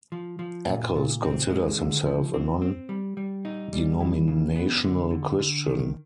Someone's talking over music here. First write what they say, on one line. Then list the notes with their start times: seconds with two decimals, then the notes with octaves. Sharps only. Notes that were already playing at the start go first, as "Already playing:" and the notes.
Ackles considers himself a non-denominational Christian.
0.12 F3
0.39 F3
0.67 A#2
0.95 A#2
1.23 C4
1.50 G#3
1.78 D3
2.06 F3
2.34 C4
2.62 C4
2.89 G3
3.17 G3
3.45 D#4
3.73 G3
4.00 E3
4.28 C#3
4.56 B3
4.83 D3
5.11 D3
5.39 D3
5.66 D#3